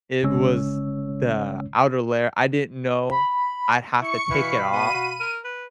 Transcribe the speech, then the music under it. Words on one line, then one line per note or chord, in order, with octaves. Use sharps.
It was the outer layer, I didn't know I'd have to take it off.
G1 C#3 G#3 C#4 C#5 E6
B5
E4 C#6 C#7
B2 E3 F5 B5
B3 D#7
F#4
A#4
B4